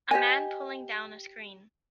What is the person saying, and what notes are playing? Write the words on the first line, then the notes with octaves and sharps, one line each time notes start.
A man pulling down a screen.
G4 C5 D#5 G#5